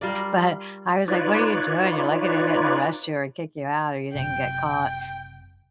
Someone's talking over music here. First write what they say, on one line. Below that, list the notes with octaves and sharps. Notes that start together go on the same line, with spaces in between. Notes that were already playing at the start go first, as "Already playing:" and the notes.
but I was like, "What are you doing? You're lucky they didn't arrest you or kick you out, or you didn't get caught."
G3 F4 A#4 D5
D#4 F4 B4 C#5 D5
F#1 C3 G5